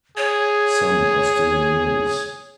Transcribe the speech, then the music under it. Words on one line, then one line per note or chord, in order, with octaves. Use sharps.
Some are still in use.
G#4 C#5